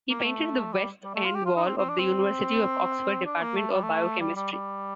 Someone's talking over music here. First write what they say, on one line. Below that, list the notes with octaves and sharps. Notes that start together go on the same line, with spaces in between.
He painted the West End Wall of the University of Oxford Department of Biochemistry.
A#3
A3
G3
G3
A3
F4
G4
F4
D#4
C4
C4
D4
C4
D4
A#3
A3
G3
A3
G3
G3
G3